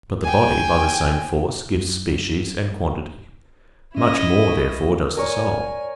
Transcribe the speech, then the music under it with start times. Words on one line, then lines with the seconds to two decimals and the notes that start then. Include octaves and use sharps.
But the body by the same force gives species and quantity; much more, therefore, does the soul.
0.23 G5 G#5
1.75 F#2
3.95 C#4 E4 D#5
4.47 C#6
5.17 A#4 C#5 D5 G#5